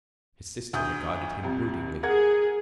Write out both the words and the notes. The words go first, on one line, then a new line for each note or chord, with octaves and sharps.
His sister regarded him broodingly.
D2 D#6 G6
C2 F2
G#4 A#4 F#5 G#6